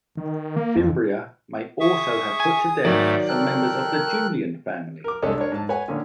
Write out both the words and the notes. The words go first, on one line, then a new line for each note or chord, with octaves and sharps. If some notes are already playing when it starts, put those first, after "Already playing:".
Fimbria may also have put to death some members of the Julian family.
D#3
A#3
F2
G#4 E5 C#6 D#6
G#5
G#2 D#3 F#3 A3 D5
A4 A#4 G5 F#6
A#4 D6
C2 G#3 D4 A4 C#5 D#5
D4 A#4 C#5
G#2 A5
B4 C#5 F#5 G#5
A#2 D3 D#3 C#4